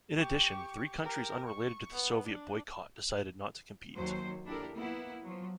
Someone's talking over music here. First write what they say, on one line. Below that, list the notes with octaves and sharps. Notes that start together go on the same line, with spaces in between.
In addition, three countries unrelated to the Soviet boycott decided not to compete.
G4 C#6
G4 A#4
C#6
B3
D4
D#2 F#3 C5
D4 E4 G4 A4 A#4
A#3 B3 E4
F3 F#3